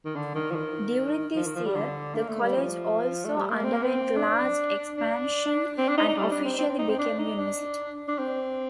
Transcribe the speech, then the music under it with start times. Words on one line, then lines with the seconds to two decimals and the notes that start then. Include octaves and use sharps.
During this year, the college also underwent large expansion and officially became a university.
0.05 D#3
0.15 D3
0.35 D#3
0.51 F3
0.55 D#3
1.36 F3
1.46 D#3
1.56 F3
1.66 G3
1.76 D3
2.15 A#3
2.29 A3
2.42 G3
2.56 F3
3.25 A3
3.37 G3
3.50 A#3
3.64 C4
3.73 A#3
3.82 C4
4.17 D4
4.98 D4
5.78 C4
5.89 D4
5.98 D#4
6.08 D#4
6.18 G3
6.31 D4
6.45 C4
6.58 C4
6.69 C4
6.79 D#4
6.90 C4
6.99 D4
7.19 D#4
7.39 D4
8.08 D4
8.19 C4